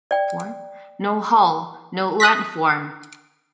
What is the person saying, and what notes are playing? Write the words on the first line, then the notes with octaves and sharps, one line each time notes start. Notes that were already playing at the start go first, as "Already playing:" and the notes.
No hole, no landform.
D5 G5
D#6 F#6 A#6 B6